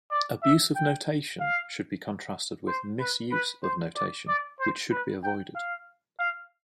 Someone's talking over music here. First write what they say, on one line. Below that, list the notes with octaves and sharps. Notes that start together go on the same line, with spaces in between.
"Abuse of notation" should be contrasted with "misuse" of notation, which should be avoided.
D5
E5
G5
F5
C5
B4
B4
C5
D5
D5
C5
B4
G5
F5
F5